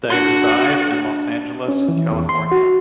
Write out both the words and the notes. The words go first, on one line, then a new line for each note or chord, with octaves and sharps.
They reside in Los Angeles, California.
D4 F#4 C6
C#4
E3
E2
C6
F#4